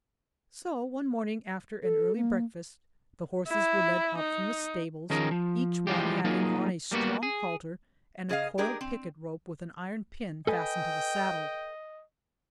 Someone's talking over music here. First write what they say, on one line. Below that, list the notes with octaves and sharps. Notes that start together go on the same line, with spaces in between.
So, one morning after an early breakfast, the horses were led up from the stables, each one having on a strong halter, and a coiled picket rope with an iron pin fastened to the saddle.
A4
A#3
E4
D#4
D#3 F3 C#4 G#4 A#4
F3
E3 F3 G3 G#3 F4 G4
F#3 A#3 D#4 F4 G#4
G3 A#3 B3 F#4
G#4
C#3 G#4 D#5 F5
G#3 D4 G4 G#4 A#4 D5
C4
A4 B4 D#5 G5 G#5